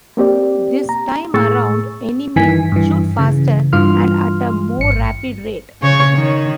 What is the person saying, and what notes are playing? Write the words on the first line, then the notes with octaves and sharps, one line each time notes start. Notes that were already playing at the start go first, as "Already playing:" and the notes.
This time around, enemies shoot faster and at a more rapid rate.
A#3 C4 G4 D5
A#5
A2 G#4 C#6 E6 A6
G2 D#3 E3 G#5 B6
G2 E3
C#3 E3
G2 E3 F4 C6 F6
G#1 C#7
C#3 C#5
D#3